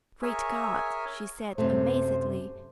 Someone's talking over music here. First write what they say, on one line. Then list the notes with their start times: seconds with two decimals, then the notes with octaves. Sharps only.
"Great God!" she said amazedly.
0.22 G#4 A#4 C#5 E5 G#5
1.58 F#2 C3 A3 C5